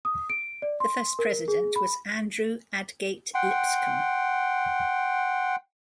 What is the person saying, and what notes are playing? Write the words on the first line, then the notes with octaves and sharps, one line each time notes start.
The first president was Andrew Adgate Lipscomb.
D#6
D7
D5
C6
A#4
G#4
B5
F#5 G5 C6